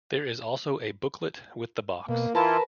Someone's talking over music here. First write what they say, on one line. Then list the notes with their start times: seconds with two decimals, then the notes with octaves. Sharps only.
There is also a booklet with the box.
2.08 B2 A#3
2.35 E3 E4 F4 A#4 B4 A5